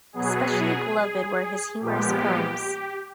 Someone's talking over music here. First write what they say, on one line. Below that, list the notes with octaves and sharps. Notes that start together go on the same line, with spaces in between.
Especially beloved were his humorous poems.
B2 F#3 B3 G#4
A#2 F3 G#3 B3 G4